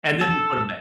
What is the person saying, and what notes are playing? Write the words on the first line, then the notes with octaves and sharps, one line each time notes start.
and then they put 'em back.
A4